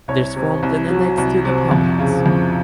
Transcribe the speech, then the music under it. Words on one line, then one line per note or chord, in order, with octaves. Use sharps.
This formed an annexe to the pump house.
C2 C#5
C3
C2
F#3
C2
C3
F2
C#3
F2